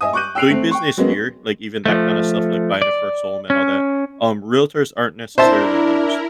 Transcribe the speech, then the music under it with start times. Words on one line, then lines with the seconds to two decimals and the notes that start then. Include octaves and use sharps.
w doing business here, like, even that kinda stuff, like, buying a first home and all that, um, realtors aren't necessarily used,
0.01 D#5 E5 G#5 D#6
0.13 C#6 D6 F#6 G6 D#7
0.35 G5 E6 F#6 C7 D7 F7
0.50 A3 C4
0.71 G5 C#6
0.97 F#3 G#3 A#3 B3 C#4
1.85 F3 A3
2.82 D5
3.50 C#4
5.38 D4 E4 A#4 C5 E5 A5